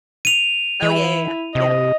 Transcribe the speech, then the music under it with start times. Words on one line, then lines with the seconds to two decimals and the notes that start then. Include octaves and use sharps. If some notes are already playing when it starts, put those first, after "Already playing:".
Oh, yeah, yeah, yeah. Yeah.
0.25 D#7 F7
0.82 E3 E4
1.55 C3 D#5